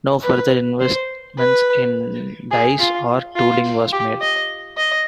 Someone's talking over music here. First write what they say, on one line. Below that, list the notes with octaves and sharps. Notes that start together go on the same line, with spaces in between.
No further investment in dies or tooling was made.
B4
C5
B4
G#4
F4
F4
G4
D#5
D#5